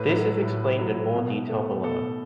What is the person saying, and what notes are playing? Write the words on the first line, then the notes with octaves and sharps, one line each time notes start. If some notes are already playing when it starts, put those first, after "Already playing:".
This is explained in more detail below.
Already playing: A2 B4
F#3 A3
A2
F#3 A3
B2
A3
B2 A4